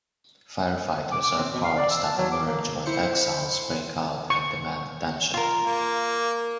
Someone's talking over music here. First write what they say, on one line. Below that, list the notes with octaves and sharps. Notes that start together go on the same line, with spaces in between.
Firefighters are parts that emerge when exiles break out and demand attention.
D6
D6
C4
B2
F5
D5
E6
A5
F#3
D6
A#3
E4 C5 C#7
C#6
F4 A#4
A#3